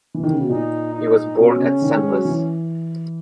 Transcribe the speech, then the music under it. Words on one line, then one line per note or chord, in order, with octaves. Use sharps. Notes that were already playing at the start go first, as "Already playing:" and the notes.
He was born at Senlis.
E3
D#3
C#3
B2
A#2 D#4
D#4
B2 C#4
C#3
D#3
G#3
F#3
E3